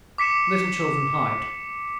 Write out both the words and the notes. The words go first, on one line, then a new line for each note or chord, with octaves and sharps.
Little children hide.
D6 B6 C#7 E7